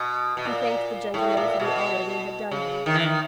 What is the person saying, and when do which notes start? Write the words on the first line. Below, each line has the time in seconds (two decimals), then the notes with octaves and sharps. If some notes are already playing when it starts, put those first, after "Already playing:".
He thanked the gentlemen for the honor they had done him.
Already playing: B2
0.37 B2
0.45 A#2
1.14 A2
1.37 A#2
1.60 B2
2.51 C#3
2.86 D#3
2.94 E3
3.04 D#3